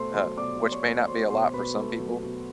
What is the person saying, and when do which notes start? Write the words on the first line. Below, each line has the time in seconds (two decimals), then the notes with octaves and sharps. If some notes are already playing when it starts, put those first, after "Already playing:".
uh, which may not be a lot for some people.
Already playing: B2 A3 C5 C6
0.14 F#3 C5 C6
0.37 B2 D5 D6
0.61 B2 C6
0.72 C#5 C#6
0.84 A3
1.07 F#3 C5 C6
1.30 B2 C5 C6
1.54 B2 B4 B5
1.76 A3
2.00 F#3
2.23 B2